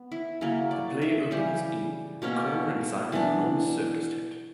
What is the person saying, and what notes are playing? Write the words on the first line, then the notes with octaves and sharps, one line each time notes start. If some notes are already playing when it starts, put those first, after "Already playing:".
The play opens in "a corner inside an enormous circus tent".
Already playing: B3
E4
C#3 F#3 A#3 E4
D5
E5
C#3 E3 G3 G4
B2 A#3 C#4
E3 B3 D4